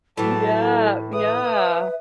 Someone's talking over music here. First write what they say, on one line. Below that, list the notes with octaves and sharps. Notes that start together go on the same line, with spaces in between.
Yeah, yeah.
A2 E3 F#3 A4 A5
B4 E5 D#6